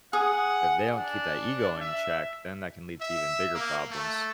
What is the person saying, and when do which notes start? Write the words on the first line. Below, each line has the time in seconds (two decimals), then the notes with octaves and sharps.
If they don't keep that ego in check, then that can lead to even bigger problems.
0.13 G#4 F#5 D#6
0.98 D4
1.81 E5
3.01 E5
3.54 A#3
3.91 A3